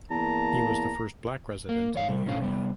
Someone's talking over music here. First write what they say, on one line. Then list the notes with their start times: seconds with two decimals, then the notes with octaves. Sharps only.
He was the first Black resident in the area.
0.10 E2 A#3 A5 A#5
1.69 A#3
1.94 E2 C#5 F5
2.08 C3 G3
2.26 G#2 B2 D3 C#4 A4 F5
2.40 C3 G3 B3